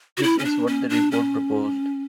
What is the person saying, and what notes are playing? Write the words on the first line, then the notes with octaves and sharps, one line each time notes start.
This is what the report proposed.
F#4
E4
C#4
D4
C#4
D4
C#4